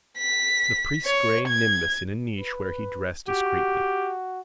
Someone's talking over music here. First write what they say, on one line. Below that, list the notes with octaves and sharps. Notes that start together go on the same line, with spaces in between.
The priest's grey nimbus in a niche where he dressed discreetly.
B6
C#5
G#6
B4
F#4 G4